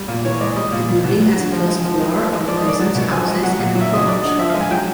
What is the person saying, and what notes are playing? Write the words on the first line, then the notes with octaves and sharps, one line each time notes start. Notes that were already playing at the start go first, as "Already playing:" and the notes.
The building has a first floor, or peasants’ houses, and a porch.
Already playing: G3
A#2
E3 C#5
G#3 D5
G3 D#5
A#2
G3
B2
F#3
D3
F3
G#3
F3
G#3
F3
G#3
F3 D5
D#5
G#3 D5
F#3
B2
F3 G#5
G#3
F#3 F#5
A#2
F#3
E5
C#3 D#5
F#3 D5
D3 D#5
F3 E5
G#3 F5
G#5
F#3 G5